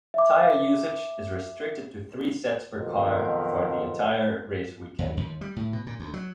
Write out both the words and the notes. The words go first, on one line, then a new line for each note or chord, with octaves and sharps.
Tyre usage is restricted to three sets per car for the entire race weekend.
E5 D6
B1 F2 B2 D#3 A#4 C5
D#2
D#2
G3
A2
B2
A#2
D2
F#3